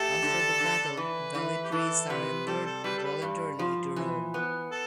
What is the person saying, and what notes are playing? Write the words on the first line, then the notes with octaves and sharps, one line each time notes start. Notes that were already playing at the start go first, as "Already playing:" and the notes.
After the battle, Velitrae surrendered voluntarily to Rome.
Already playing: A3 G4 A4
D3
D3
E3 B4
E3
G4
E3 A4
C3 B4
G3 A4
A4
G3 B4
A4
B4
G2
F3
E3
B3
A4